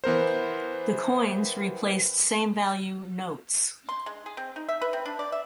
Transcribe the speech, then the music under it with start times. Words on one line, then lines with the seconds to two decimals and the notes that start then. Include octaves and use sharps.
The coins replaced same value notes.
0.04 E3 B3 A#4 C5
3.89 C6
4.06 G#3
4.26 G#4
4.37 C4
4.56 D#4
4.69 E5
4.82 B4
4.93 C4
5.06 D4
5.19 D5
5.32 E5